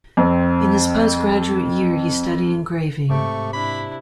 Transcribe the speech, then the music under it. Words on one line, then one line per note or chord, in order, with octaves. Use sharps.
In his postgraduate year he studied engraving.
F2 C4
G#2 C3 A3 C#6 D6
D4 E4 B5